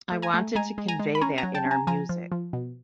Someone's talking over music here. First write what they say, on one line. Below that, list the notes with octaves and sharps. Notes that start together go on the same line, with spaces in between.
I wanted to convey that in our music.
A3
G#5 A#5
A3
G#3 G#5 A#5
G#3
G#5 A#5
G#3
B5
C#4 G#5 A#5
G#5 A#5
F#3
G5 A5
C#4
G#5 A#5
F3 G#5 A#5
F3
F3
B2